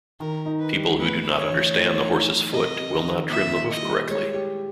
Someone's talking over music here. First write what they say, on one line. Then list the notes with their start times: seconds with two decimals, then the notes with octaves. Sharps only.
People who do not understand the horse's foot will not trim the hoof correctly.
0.20 D#3 A#4
0.46 D#4
0.59 B4
0.72 G3
0.97 A2 B4
1.23 A2
1.37 C#5
1.50 E3
1.75 A2
2.02 D#4
2.27 F#3
2.53 C3 D#5
2.79 C3
3.04 D#3
3.30 A#2 E5
3.56 E4
3.70 D#5
3.83 G3
4.08 G#3 C#5
4.34 G4